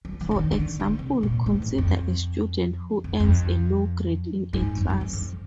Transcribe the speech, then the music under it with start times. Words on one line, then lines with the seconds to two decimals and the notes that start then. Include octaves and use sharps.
For example, consider a student who earns a low grade in a class.
0.05 F#3
0.21 E3
0.31 D3
0.36 D#3
0.51 D3
0.68 D3
0.80 D#3
0.84 D3
0.99 C3
1.23 A#2
1.46 A2
1.62 E2
1.78 F2
3.04 F2
3.20 F2
4.53 G#2
4.77 F#2
4.90 F#2
5.01 F2
5.13 F2